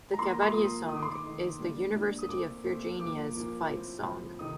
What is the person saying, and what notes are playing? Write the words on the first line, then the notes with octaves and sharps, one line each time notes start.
The Cavalier Song is the University of Virginia's fight song.
A#5
F3 A#3 F4 C6
A#5
C6
F3 A#3 F4 D#6
D#3 A3 D#4 D#6
D6
C6
D6
D#3 A3 D#4
A#2 G3 D4
A#2 G3 D4
D#6
A#2 A3 C4 D6
A#2 A3 C4
A#2 F3 A#3 D6
A#2 F3 A#3
A2 F3 C4
A2 F3 C4
C3 D#3 A3 D#4 D#6